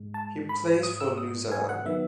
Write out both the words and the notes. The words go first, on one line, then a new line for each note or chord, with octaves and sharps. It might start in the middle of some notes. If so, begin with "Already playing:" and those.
He plays for Luzern.
Already playing: G#2 G#3
A5
B5
D#6
E6
D#6
G#5
F#5
D#3 F#3 B3 E5